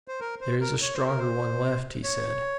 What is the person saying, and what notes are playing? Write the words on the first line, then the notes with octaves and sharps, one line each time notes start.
"There is a stronger one left!" he said.
C5
A#4
C5
A#4
C#5
C5
A#4
C5
C#5